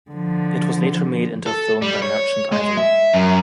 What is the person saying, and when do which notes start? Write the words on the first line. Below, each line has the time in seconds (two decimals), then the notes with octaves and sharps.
It was later made into a film by Merchant Ivory.
0.11 D3 F3
1.46 A4
1.82 G3
2.02 C#5
2.52 G#3
2.77 E5
3.14 F#2